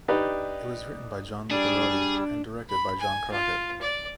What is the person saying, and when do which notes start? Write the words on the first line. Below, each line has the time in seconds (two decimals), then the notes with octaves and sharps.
It was written by John Lucarotti and directed by John Crockett.
0.08 D4 D#4 G4 B4 D5
1.51 G3 D4 G#4
2.69 B5
2.99 G#5
3.32 F4
3.81 D5